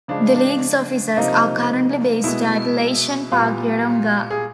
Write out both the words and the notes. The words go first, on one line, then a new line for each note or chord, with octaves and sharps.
The league's offices are currently based at Leyshon Park Yeronga.
C#3 F3 G#3 D4
D4
C3 F3 A#3 D#4
B2 G#3 B3 E4
A#2 G3 B3 F4
G#4